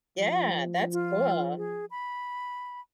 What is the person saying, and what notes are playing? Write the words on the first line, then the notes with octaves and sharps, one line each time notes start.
Yeah, that's cool.
F3
F4
G#4
B5